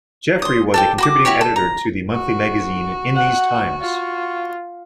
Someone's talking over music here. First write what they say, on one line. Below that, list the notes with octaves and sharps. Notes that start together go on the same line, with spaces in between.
Jeffrey was a contributing editor to the monthly magazine "In These Times".
C6 D#6
A4 D5 G5
F#4 B5 D6
E4 F#4 G4 C#5
A4
A#5
F#4
F#5
F4